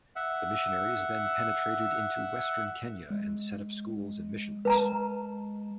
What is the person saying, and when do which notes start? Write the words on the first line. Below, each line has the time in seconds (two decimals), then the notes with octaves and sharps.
The missionaries then penetrated into western Kenya and set up schools and missions.
0.16 E5 F#5
3.10 G#3
4.65 G#3 B4 A5 A#5